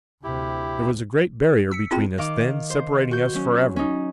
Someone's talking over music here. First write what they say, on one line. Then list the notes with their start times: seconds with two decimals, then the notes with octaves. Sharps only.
There was a great barrier between us then separating us forever.
0.24 D2 C3 E4 G4
1.72 E6 B6 C#7
1.91 C4 E4 F4 G#4 G5
2.18 D#3 F5 D6
2.70 C5
3.11 F#4 G6
3.33 F#3 C#4
3.76 C#4 D#4